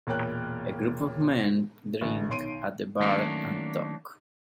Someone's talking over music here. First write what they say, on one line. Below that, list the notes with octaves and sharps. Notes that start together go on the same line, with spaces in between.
A group of men drink at a bar and talk.
E1 A#2 A#4 C#5 G5 F#6
A1 D3
B1 D#3 C#5 C6 D7 D#7
D#3 F#3 A3 A#3 C#4 D4